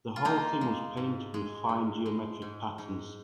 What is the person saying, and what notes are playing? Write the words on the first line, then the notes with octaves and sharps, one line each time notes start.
The whole thing was painted with fine geometric patterns.
F4
G#3 A#3 D#4
G#3
G#2
G#3
G#2
G#3
G#2
G#2